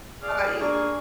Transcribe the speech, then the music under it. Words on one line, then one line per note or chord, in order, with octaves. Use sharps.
How 'bout you?
G#4 D5 F5
A#3 D4 C#6